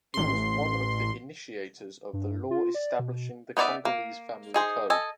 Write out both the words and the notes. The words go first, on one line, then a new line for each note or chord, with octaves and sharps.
He was one of the initiators of the law establishing the Congolese Family Code.
A1 C6
G2
F4
D5
B2
B3 D#4 C#5 D5 E5
A#3
D#4 G#4 C5
A4 D#5 G#5